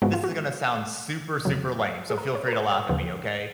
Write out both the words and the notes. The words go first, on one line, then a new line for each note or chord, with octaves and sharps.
this is gonna sound super, super lame, so feel free to laugh at me, okay?
G#2 F3 G#3 B3 F#4
F4
F#4
F2 C#3 F#3
G#4
A#4
C#5
A#4
B4
C#5
D#2 C#3 F3 B3 B4